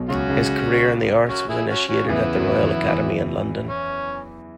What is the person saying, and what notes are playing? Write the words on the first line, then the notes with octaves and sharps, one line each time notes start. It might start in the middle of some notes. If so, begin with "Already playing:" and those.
His career in the arts was initiated at the Royal Academy in London.
Already playing: B1 B2
C#2 C#3 C#4 F#4
C#2 C#3
C#4 F#4
E4 G#4
C#4 F#4
C#4 F#4
C#3
E2 E3 B3 E4
F#2 F#3
E2 E3
E2 E3
C#4